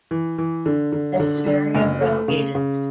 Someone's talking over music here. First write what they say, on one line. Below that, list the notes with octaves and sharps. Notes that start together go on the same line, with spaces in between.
Esperia relegated.
E3
E3
D3
D3
D3
D3
F#1
A3
C#3
C#3